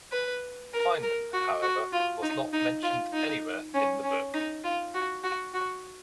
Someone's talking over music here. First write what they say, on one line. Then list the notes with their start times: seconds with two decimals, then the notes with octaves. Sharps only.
Feinman, however, was not mentioned anywhere in the book.
0.12 B4
0.73 A#4
1.03 A#4
1.33 F#4
1.62 F#4
1.93 F4
2.23 D#4
2.53 D#4
2.83 F4
3.13 D#4
3.74 C#4
4.03 C#4
4.33 D#4
4.64 F4
4.94 F#4
5.24 F#4
5.54 F#4